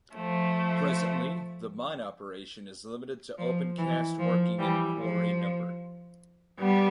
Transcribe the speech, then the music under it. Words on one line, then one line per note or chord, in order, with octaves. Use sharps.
Presently the mine operation is limited to opencast working in Quarry no.
F3 A3
F3
E3
F3
E3 G3
F3
G3 B3